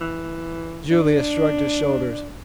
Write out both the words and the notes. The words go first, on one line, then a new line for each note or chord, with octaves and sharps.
Julius shrugged his shoulders.
E3
D4